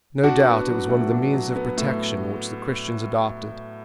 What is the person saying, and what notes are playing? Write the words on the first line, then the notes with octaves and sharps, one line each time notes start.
No doubt it was one of the means of protection which the Christians adopted.
D4 F#4 F#5
B3
F#3
A2
D4
F#3
B3
A2